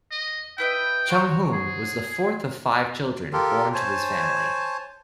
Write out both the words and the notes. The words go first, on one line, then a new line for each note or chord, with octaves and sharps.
Chung-Hoon was the fourth of five children born to his family.
D#5
E4 B4 D#5 G5
F#4 C5 C#5
G#4
F4 G4 A4 A#4
C5 C#5 G#5 A5